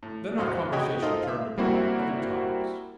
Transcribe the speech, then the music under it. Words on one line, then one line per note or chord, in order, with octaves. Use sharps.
Then our conversation turned upon other topics.
A2
A#1 F2 A#2 F#4 C5 F5
F#4 C#5 D#5 G5 B5
D#4 F4 A4 A#4 C5 D#5
E5 F5
G3 A#3 C4 E4 F#4